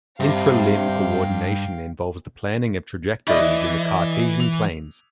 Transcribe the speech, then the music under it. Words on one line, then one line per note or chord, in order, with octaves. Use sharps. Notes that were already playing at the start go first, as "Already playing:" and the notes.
Intra-limb coordination involves the planning of trajectories in the Cartesian planes.
G2 C3 F5 G5
E4 F#4 D5 D#5 B5
E3
F7